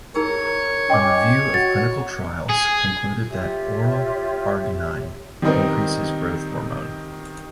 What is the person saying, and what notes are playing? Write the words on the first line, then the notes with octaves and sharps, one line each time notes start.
A review of clinical trials concluded that oral arginine increases growth hormone.
D#4 G#4 A#4 C#5 E6
C#4 D#5 G5 C6 D6
F#4 A6
G#4
F4 G4 C#5 E5
D#3 G3 B3 C4 D#4 A#4